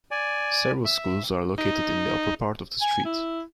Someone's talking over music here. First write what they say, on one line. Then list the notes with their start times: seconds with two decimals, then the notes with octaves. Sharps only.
Several schools are located in the upper part of the street.
0.11 D5 G#5
0.85 E5
1.58 D#4
2.82 G#5
3.05 E4